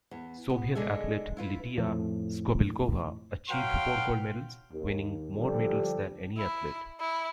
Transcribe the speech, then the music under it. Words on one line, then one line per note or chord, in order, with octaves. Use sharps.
Soviet athlete Lidiya Skoblikova achieved four gold medals, winning more medals than any athlete.
E2
B3
G#3 D4 G#4 A4 E5
E4 F4 B4
F2 A2 F3
F#3 B4 F5 G5 C6
D#2
D3 F3 G3 G4 A4
E4
E4